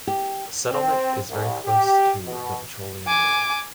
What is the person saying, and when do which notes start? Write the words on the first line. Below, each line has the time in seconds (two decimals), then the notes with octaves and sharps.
The settlement is very close to the Petroleum Road.
0.07 G4
0.72 C4
1.30 C2
1.65 G4
2.26 B2
3.07 G#5 D6